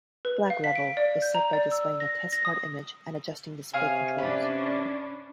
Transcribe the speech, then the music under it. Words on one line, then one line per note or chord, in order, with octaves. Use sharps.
Black level is set by displaying a testcard image and adjusting display controls.
B4
F5
B6
D7
D5
G6
A#5
D5
E6
A#6
A#6
D#6
C3 G#4 C#5 F5
C#4 D4 B4